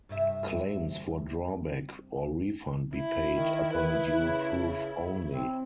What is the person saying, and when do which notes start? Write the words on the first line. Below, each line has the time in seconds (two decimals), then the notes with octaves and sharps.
Claims for drawback or refund be paid upon due proof only.
0.09 G2 C3 E5
2.95 E4
3.35 D#3
3.72 B4
4.16 C#3
5.31 C4